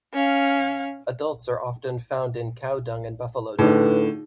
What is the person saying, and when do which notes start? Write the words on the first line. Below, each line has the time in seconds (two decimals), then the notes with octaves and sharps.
Adults are often found in cow dung and buffalo dung.
0.14 C#4 F5
3.59 A2 D3 D#4 F4 G#4 A4 B4